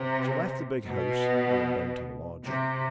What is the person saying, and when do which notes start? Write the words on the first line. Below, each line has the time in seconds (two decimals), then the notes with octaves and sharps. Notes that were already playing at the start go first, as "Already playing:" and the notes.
She left the big house and went down to the lodge.
Already playing: C3
0.86 B2
2.46 C3